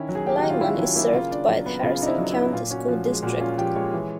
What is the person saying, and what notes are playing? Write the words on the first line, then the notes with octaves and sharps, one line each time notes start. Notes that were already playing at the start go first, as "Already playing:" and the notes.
Lyman is served by the Harrison County School District.
Already playing: D#3 C#4 E4
F#3
G#4
A#3 G4
F#4
D#3
F4
C#4 E4
F#3 E4
A#3 E4
C#3 F4
D4
F#3
B3
C#3 F4
D4 D#4
E4
F#3
E4
B3
E4
A#2 F4
C#4 F#4
F3 F#4
G#3
A#2 F#4
C#4 F4
F3 G4
G#3 C#5
E3